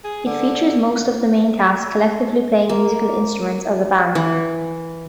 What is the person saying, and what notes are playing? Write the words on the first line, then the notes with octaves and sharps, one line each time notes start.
It features most of the main cast collectively playing musical instruments as a band.
G#4
D3
A#3
E3